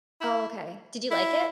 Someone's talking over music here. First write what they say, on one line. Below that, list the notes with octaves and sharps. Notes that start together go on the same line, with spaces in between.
Oh, okay. Did you like it?
E4
E4